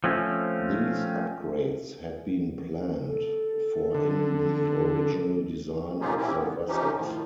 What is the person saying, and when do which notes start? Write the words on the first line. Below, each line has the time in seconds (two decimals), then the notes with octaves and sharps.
These upgrades had been planned for in the original design of the vessels.
0.04 F3 A3 C4 C#4
3.06 A4
3.94 D3
6.01 B2 C#4 D#4 F4 G4 G#4
6.17 A#2 A#3 C4 C#4 E4 G4
6.38 E2 B3
6.68 E3 F3 C#4 D#4 G4
6.96 A2 D#3 F3